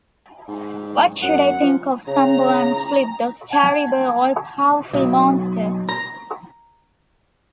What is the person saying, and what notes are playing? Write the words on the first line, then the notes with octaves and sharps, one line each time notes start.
What should I think of Sambo and Flip, those terrible, all-powerful monsters?
G#2
F#2 F#5
F3
C#3 A#5
F#5 G#5 A5 G#6
B1
A#5